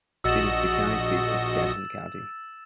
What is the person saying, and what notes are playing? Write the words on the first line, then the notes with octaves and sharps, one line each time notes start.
It is the county seat of Stanton County.
A#1 F#4 D#5 E6 A6 E7